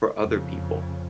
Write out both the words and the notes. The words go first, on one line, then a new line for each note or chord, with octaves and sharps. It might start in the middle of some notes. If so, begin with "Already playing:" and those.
for other people,
F2 C#3